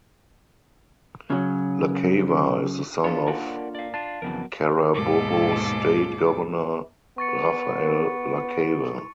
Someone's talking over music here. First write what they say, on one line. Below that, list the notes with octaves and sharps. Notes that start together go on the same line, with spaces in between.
Lacava is the son of Carabobo state governor Rafael Lacava.
C#3 F#3
A#3 D4 F4 A4 C#5
A#4 D5 F#5
D5 F5
D4 F4 A5
F2 C#3 E3 F#3 B3 A#4
D#2 G#2 B2 A4 D6
B3 C#6 A6 C#7